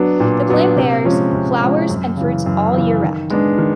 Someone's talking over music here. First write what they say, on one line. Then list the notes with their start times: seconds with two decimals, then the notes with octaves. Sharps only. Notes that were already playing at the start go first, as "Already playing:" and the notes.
The plant bears flowers and fruits all year round.
Already playing: F#3 B3 D4
0.20 A#2
0.48 F#3 B3 D4
0.76 C3
1.05 F3 G#3 C#4
1.33 C3
1.61 F3 G#3 C#4
1.90 F#2
2.17 C#3 E3
2.46 F#2
2.74 C#3 E3
3.01 D#3
3.30 G#3 B3 D4
3.58 D#3